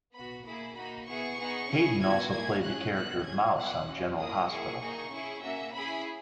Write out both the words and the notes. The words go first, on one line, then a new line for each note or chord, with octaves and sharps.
Hayden also played the character of Mouse on "General Hospital".
B3 F#4 B5
A#3 E4 G#4 B5
A#3 D#4 F#4 B5
B3 E4 G#4 C#6
B3 D#4 G#4
C#4 E4 G#4
B3 F#4 G#6
A#3 E4 G#4 G#6
C#4 G#4 F#6
B3 F#4 F#6
C#4 G#4 G#6
B3 E4 G#4 F#6
C#4 F#4
A#3 E4 G#4 D#6
A#3 E4 G#4 C#6
A#3 D#4 G#4
C#4 E4 G#4
A#3 C#4 F#4 E5
C#4 E4 G#4 B5